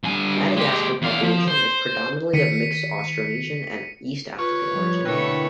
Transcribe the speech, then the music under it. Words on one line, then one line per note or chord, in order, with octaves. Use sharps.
Madagascar's population is predominantly of mixed Austronesian and East African origin.
G2 G#5
G#3 G4
E2 F5
F3
C5
D#3 B6 C#7 D#7
F4 B4 C#5
F3 G3
B2 D3 A3 E4 A#4 B4 C#5 G5